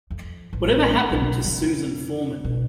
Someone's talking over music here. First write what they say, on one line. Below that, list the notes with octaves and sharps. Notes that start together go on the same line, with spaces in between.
Whatever Happened to Susan Foreman?
F2
A1
B1
F2 C#3
B2